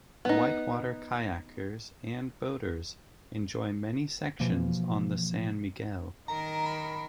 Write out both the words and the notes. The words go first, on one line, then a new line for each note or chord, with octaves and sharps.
Whitewater kayakers and boaters enjoy many sections on the San Miguel.
B3 D#4
B2 E3 F3 A#3
D#3 A#4 A#5
B5